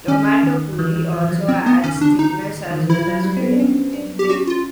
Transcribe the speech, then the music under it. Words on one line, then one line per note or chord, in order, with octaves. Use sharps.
Tomato puree also adds thickness as well as flavour.
D#3 C#4
D#3
D#3
E3
E3
F3
F3
F#3
F3 C4
B3
D#3 C#4
D3 D4
D#3
D#4
D#3
E3
F3 E4
F#3
G3
C4
B3
D4
C#4
D4
G4
D4
C#4 F#4
F4